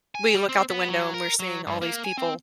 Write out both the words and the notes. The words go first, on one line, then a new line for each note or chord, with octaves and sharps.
we look out the window and we're seeing all these people
G#5
G3
C4
B3
F#3
A#4
F#3
G2
A#3
G#5
C4